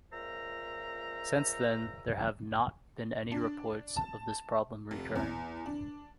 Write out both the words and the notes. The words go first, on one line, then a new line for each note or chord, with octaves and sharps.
Since then, there have not been any reports of this problem recurring.
C#2 A#2 A#4 C5 E5 A#5
D4
A5
F1
E2
D4